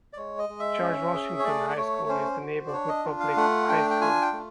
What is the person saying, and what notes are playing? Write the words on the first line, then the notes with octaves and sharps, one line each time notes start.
George Washington High School is the neighborhood public high school.
D5
G#3 C#5
D#5
G#3
E5
C#4
G#4
C#5
A3 D5
D5
A3 C#5
C#4 C5
F#4
D5
D4 C#5
D#5
F4
F5
A3 F#5
D4 G5
G5
F4 G#5
G5
A3